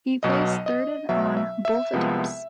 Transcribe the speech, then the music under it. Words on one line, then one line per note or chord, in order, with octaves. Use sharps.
He placed third on both attempts.
B1 B2 F#3 D#5
D#5
B1 B2 F#3 E5
E5
E5
C2 C3 F3 G#3 B3